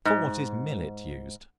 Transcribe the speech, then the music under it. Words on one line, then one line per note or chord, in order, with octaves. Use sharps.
For what is Millet used?
G#2